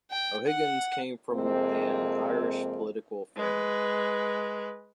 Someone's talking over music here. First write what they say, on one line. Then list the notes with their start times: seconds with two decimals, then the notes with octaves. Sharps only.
O'Higgins came from an Irish political family.
0.11 G5
0.46 F#5
1.33 F2 C3 G#3 A#3 C4
3.36 G#3 B4